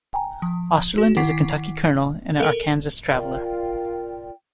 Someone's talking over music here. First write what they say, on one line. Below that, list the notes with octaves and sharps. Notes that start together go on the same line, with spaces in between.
Osterlind is a Kentucky colonel and an Arkansas traveler.
G5 G#5 A#5
F3
F#4
D#3 E4 F#5 D6 B6 C7
A4 A#4
F4 A#4 D5 G5